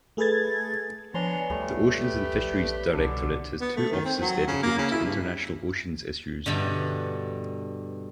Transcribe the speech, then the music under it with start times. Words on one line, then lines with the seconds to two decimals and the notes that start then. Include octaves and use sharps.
The Oceans and Fisheries Directorate has two offices dedicated to international oceans issues.
0.17 A3 G#4 A4 B4 G#6 A6
1.14 F3 B3 D4 B4 C#5 G#5 A#5 C6
1.50 D2 G3 A3
1.84 G4 B4
2.33 A#1
2.93 C2 B2 D3 D4
3.61 B3
3.77 A3
3.92 D#3
4.05 C4
4.22 F#3
4.47 C#3
4.63 A#3
4.78 C#3
4.92 E4
5.05 G2
6.46 G2 B2 D3